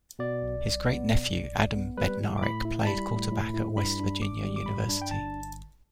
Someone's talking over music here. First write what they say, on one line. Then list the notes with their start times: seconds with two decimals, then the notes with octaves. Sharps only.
His great-nephew, Adam Bednarik, played quarterback at West Virginia University.
0.19 B2 D5
0.42 B1
0.64 B1
0.86 B3
1.09 B2
1.31 B1
1.53 B1
1.76 B3
1.97 G3 B4
2.20 A2
2.38 D6
2.42 A2 B5
2.65 E4
2.82 A5
2.87 G3 B5
3.10 A2
3.32 A2
3.54 E4
3.76 G2 B5
4.00 D4
4.21 G1 D6
4.44 G3
4.56 D6
4.66 G2 B5
4.89 D4
5.02 G5
5.10 G1 A5